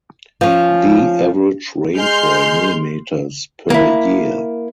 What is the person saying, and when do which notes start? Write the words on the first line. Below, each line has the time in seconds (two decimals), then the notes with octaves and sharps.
The average rainfall millimeters per year.
0.41 F3 C#4
1.96 G#3 C6 F6 G6
3.70 A#3 E4